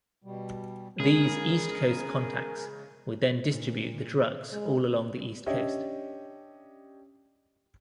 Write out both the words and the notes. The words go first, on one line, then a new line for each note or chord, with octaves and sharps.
These East Coast contacts would then distribute the drugs all along the East Coast.
B2 G3
C#3 G#3 G#4 A#4
A#2
G#3
C#4 D4 G4 C#5 D#5 E5